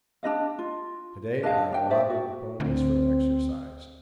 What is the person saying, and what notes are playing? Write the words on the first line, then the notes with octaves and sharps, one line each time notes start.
To-day I allotted the ponies for exercise.
D4 D#4 D#5 F5
F4
D4 D#5 F5 A5
D4 G5
C5 D5 E5
F#4
D2 C4